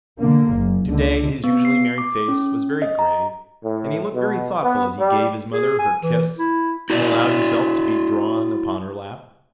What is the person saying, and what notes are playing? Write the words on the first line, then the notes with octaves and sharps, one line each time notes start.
Today his usually merry face was very grave and he looked very thoughtful as he gave his mother her kiss and allowed himself to be drawn upon her lap.
D3 A#3
F#1
C#2 D3
B3
C7
D6
C#4
D#5
A#5
A2
B2
B3
G3
G#4
G#5
E3
E4
E4 F#4 D5